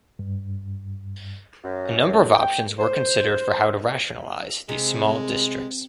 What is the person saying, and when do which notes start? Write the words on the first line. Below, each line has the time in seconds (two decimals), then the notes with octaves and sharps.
A number of options were considered for how to rationalise these small districts.
0.19 G2
1.64 F#2
2.34 G5
2.79 C5
4.69 C3 G#3